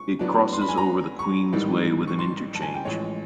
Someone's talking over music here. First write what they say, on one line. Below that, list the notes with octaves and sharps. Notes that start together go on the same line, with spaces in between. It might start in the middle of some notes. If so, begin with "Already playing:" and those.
It crosses over the Queensway with an interchange.
Already playing: C#6
A2 F#3 B3 D4
C6
B5
G#5
A#5
C#6
A1 G#2 D#3 G3
C#6
C6
A5
G#5
G5
A1 A2 F3 G#3 C#5